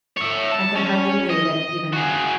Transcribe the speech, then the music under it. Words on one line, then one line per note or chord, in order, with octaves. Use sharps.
I could hardly believe it, even then!
C#5 E5
A5
C#4
D#5
F#4 G#4